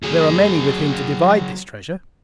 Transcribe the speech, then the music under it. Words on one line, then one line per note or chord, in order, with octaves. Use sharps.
"But there are many with whom to divide this treasure...."
F#3 G#4